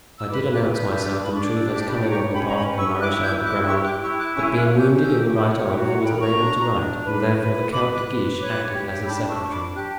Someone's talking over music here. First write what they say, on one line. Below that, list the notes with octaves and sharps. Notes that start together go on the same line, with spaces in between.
"I did announce myself, in truth, as coming on the part of the Marechal de Grammont; but being wounded in the right arm he was unable to write and therefore the Count de Guiche acted as his secretary."
E6
B4 B5 D6
D6 F#6
B4
E6 G6
D4
B5
D4 C#6
D6
E6
G4 D6 F#6
B5 D6
C#5 D6
A#5 C#6
C#4 G5 B5
A#5
G5 B5
B4
C#6 E6
E4 D6 F#6
F#6
E6 G6
E4
D6 F#6
G4 C#6 E6
D6 F#6
E4 C#6 E6
D6 F#6
C#4 C#6 E6
G6
D6 F#6
C#4
E6 G6
G4 E6 G6
E6
D6
C#6
C#5 G5 B5
F#4 E5 G5
F#5 A#5
A#4 G5 B5
A#5 C#6
D4
D4
B4
B4
B4 B5 D6
D6 F#6
B4
C#5 D6 F#6
G4
E6
D4 B5 D6
C#6 E6
D4 C#6
B5 D6
G4 D6 F#6